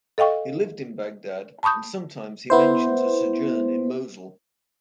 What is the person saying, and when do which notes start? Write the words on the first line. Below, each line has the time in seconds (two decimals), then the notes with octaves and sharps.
He lived in Baghdad and sometimes he mentions a sojourn in Mosul.
0.18 A4 D#5 F5 G5 C#6
1.63 A5 B5 C#6 D#6 G6
2.50 B3 E4 C5